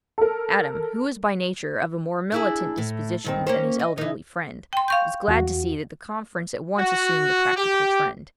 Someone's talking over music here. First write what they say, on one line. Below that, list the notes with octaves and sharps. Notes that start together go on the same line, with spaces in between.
Adam, who was by nature of a more militant disposition than his elderly friend, was glad to see that the conference at once assumed a practical trend.
A4 A#4
D4 E4 G#4
A2
G2 D#3 C4
A#3 C#4 C5
D#5
E3 D#4
G5 C6
F5 C#6 G6
E2 F#4
F#4
G4